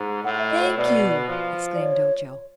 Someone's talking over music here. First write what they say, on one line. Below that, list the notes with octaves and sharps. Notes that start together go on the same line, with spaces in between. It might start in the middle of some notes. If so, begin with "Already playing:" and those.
"Thank you," exclaimed Ojo.
Already playing: G#2
A2 F#5
E5
D#5
C5
C#5
B2 D5
F3
D5
C#5